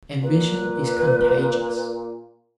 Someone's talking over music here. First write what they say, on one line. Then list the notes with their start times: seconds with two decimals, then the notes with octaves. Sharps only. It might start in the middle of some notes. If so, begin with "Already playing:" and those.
Ambition is contagious.
0.21 A#2 B4